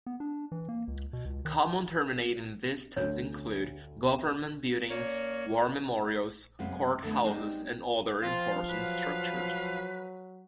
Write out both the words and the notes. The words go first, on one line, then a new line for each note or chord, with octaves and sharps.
Common terminating vistas include government buildings, war memorials, courthouses and other important structures.
B3
D4
E3
A#3
C#2
B2
C#2
D#3
D2 C#5
A#3 C#4 C#5 D5
F#2 C#3 G#3 B3 C4
D3 A3 B3
G3 G#3 B3 C4 D#4
F3 C4 F4 F5
F#3 B4